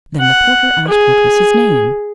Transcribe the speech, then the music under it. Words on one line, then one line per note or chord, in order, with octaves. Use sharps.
Then the porter asked what was his name.
F#5
G#4